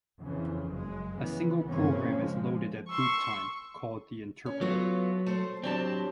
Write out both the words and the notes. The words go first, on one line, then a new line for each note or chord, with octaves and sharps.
A single program is loaded at boot time, called the interpreter.
F2 C#3 E3
F#1 G#3
C#3 E3 B3
G2 C#3 E3 A#3 C4 C#4
F3 G#3
C6 C#6 E6
C#4
F#3 A3 B3 F4
A3 C5
F#3 C4 D4 G4 A5